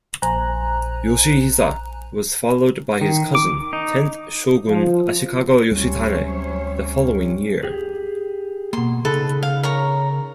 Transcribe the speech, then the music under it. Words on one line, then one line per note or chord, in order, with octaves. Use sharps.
Yoshihisa was followed by his cousin, tenth shogun Ashikaga Yoshitane, the following year.
A#1 C5 G#5 A#5 F#6
D#3
D6
D#4
F3
D2 C3 F#3 G3 C#4 C5 C#5
G4 G#4
B2 A#3 C6
C#3 D#4 G#4 A4 B4
F5
A#4 C#5 A#5